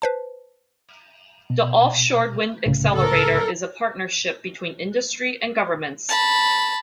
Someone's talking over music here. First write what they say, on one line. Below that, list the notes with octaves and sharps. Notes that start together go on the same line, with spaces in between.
The Offshore Wind Accelerator is a partnership between industry and governments.
B4 C5 A5
B2
C2 A2 C#3
A4 A#4
A5 B5